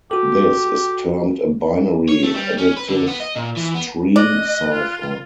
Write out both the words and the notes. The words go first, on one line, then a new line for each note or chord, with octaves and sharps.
This is termed a binary additive stream cipher.
F#4 G4 A4
C#5
A3
G3
C#4
B4
D3
B3
D#5
A#2
E3
B3
D5 D#5 F#6
F4